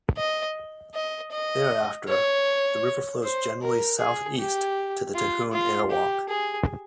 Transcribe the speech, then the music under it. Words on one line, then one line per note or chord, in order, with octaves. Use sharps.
Thereafter, the river flows generally south-east to the Tahune Airwalk.
D#5
D#5
D#5
C#5
C5
A#4
G#4
G4
F4
F4
G4
G#4